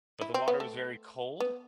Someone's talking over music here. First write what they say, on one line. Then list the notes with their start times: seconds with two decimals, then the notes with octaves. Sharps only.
but the water was very cold,
0.21 E4
0.34 C4
0.48 B3
0.60 A3
1.40 B3